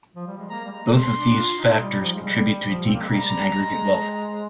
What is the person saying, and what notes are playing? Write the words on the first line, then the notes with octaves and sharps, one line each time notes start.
Both of these factors contribute to a decrease in aggregate wealth.
F3
G3
G#3
A#3 A#5
G3
G#3
C6
D4
F4
D#4
G3
F3
G#3
G3
F3
C4
A#3
G#3
G3 A#5
G3
G#3